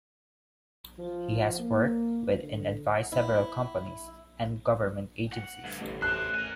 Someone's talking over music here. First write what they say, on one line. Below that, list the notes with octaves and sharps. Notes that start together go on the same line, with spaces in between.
He has worked with and advised several companies and government agencies.
F3
A#3
D3
E4
F#5
D2 G2
A1
C5 E5 F#6
A#4 G#5